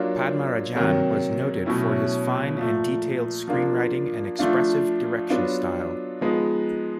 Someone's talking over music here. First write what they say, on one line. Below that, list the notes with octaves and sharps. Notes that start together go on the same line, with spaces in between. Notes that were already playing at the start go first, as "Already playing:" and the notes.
Padmarajan was noted for his fine and detailed screenwriting and expressive direction style.
Already playing: F#3 A#3 D4 F4
C3 D#3 F#3 A#3
B2 F#3 A3 C#4 E4
A#2 F3 A3
F3 A#3 D4 F4
F3 A3 D4 F4
F#3 B3 D4 F4
F3 G#3 B3 D#4